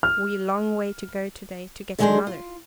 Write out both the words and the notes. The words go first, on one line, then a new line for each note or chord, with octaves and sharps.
"We long way to go to-day to get to Mother."
F6
D3 D#3 G#3 D4 G#4 C5
F4